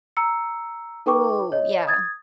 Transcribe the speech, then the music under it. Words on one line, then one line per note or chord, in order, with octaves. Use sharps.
Ooh, yeah.
A#5 E6 C#7
D#4 A4 B4 G5 C#6 D6
C#5 D#5
D#6 G#6 A6